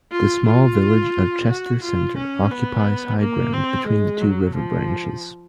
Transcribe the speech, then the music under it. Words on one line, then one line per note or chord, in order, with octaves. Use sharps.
The small village of Chester Center occupies high ground between the two river branches.
F4
F4
F#4
F4
C#4
B3
A#3
C4
G#3
F#3
F3